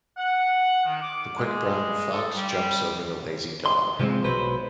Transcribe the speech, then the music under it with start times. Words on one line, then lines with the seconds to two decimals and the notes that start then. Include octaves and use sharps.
The quick brown fox jumps over the lazy dog.
0.18 F#5
0.86 D#3
1.02 D6
1.37 G#3
2.12 A4
2.34 G3
3.66 C6
4.00 C3 F3 F#3 G#3 C4
4.24 B1 F#3 B4 C5